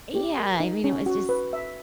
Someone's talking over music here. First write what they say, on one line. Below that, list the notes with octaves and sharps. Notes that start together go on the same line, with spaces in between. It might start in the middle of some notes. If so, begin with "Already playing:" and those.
Yeah, I mean, it was just
G4
A#4
D#4
C#4
F#4
B4
E5